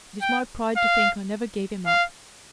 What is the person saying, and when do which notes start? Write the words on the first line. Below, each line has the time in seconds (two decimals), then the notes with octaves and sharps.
It is my pride to think I never gave him up.
0.22 G5
0.76 F5
1.87 F5